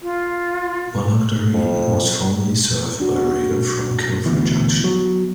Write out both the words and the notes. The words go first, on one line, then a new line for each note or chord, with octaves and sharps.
Ballaghaderreen was formerly served by rail from Kilfree Junction.
F4
F2
D4 F#4
D2 E3 B3
F#3